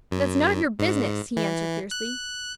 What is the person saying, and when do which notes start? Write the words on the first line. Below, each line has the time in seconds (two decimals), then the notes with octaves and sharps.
"That's none of your business," he answered, fiercely.
0.11 F#2
0.79 G#2
1.37 E3
1.91 F#6